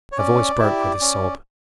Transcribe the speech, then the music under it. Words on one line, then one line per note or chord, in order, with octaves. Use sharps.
Her voice broke with a sob.
C#5
C#4 D5
E4 G4
C#4